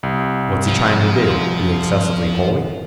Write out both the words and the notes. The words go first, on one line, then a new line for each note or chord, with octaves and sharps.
"What's he trying to do--be excessively holy?"
C2
F3